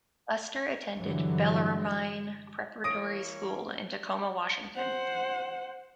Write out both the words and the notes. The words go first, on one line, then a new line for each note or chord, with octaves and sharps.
Lester attended Bellarmine Preparatory School in Tacoma, Washington.
G2 D3 E3 F#3 G3
E3 A#3 C#5 D#6 A#6 D7
C5 F#5